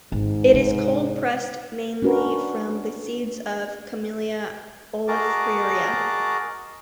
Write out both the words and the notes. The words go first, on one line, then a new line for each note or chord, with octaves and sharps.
It is cold-pressed mainly from the seeds of "Camellia oleifera".
G#1 G#2
C3
C#4 D4 F#4 A#4 B4
F#4 G#4 A#4 D#5 A5 D6